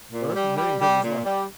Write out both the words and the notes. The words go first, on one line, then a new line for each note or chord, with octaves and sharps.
well, that's the thing 'cause it's, like
A#2
G3
G3
G3
A#2
G3